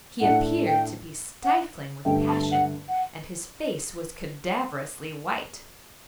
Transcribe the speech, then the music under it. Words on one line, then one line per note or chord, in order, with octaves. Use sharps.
He appeared to be stifling with passion, and his face was cadaverously white.
A2 A3 D4 F#5
G5
F#5
G2 D3 A3 G5
A5
F#5
F#5